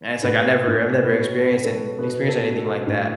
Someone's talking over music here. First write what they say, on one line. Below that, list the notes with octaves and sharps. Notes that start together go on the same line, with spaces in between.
and it's like, I never I've never experienced an n experienced anything like that,
A2 B4
A2
B4
B2 C#5
B2
A4
B4
B2 B4
A4
B2
A4
A2